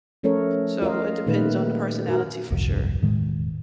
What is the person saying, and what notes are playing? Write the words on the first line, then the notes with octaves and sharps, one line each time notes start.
So it depends on the personality for sure.
F3 A3 C#4 A4 A#4 C#5
F4 A#4 D#5 F5
A#2 D#3 A3 B4
F#4 A#4
G1 C2 F2
E1 A2 D#3 G#3